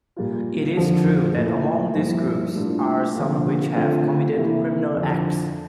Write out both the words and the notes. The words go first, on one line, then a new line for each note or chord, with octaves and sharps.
It is true that among these groups are some which have committed criminal acts.
A#2 G3 A#3 F4
F2 D3 F3
A#2 A3 E4
G2 F3 A#3 E4
A2 G3 A#3 D4 F4
D3 F3 A#3
D3 A3 C4 F4
C3 E3 A#3 E4
F2 D3 F3